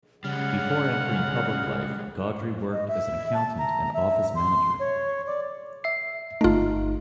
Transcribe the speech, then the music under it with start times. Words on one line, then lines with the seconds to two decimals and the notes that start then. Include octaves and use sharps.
Before entering public life, Gaudry worked as an accountant and office manager.
0.24 C#3 G3 G#3 F#5 F6
2.72 D#5
2.88 E5
3.34 A5
3.58 A#5
3.94 E5
4.35 C6
4.80 C#5
5.27 D5
5.84 E5 C7
6.41 G1 A3 D#4 F4